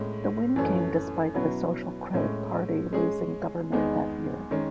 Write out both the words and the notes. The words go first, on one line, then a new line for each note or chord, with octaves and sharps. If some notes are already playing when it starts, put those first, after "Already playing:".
The win came despite the Social Credit party losing government that year.
Already playing: A2 G#3 C#4
F#2 E3 A3 C#4
B2 F#3 C#4 E4 B4
A2 G#3 C#4
G#3 C#4 G#4
E2 D#3 G#3 B3 D#4
D#3 G#3 C#4